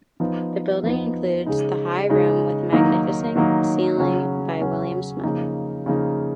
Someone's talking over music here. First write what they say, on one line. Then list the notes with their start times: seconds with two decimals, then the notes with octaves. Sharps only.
The building includes The High Room with a magnificent ceiling by William Smith.
0.20 F3 B3 D#4
0.83 F3 B3 D#4
1.46 C#3 G#3 D#4
2.09 C#3 G#3 D#4
2.72 D#3 F#3 A#3 D#4
3.36 D#3 F#3 A#3 D#4
3.97 C#3 F#3 C#4
4.61 C#3 F#3 C#4
5.24 C#3 F3 A#3 D#4
5.86 C#3 F3 A#3 D#4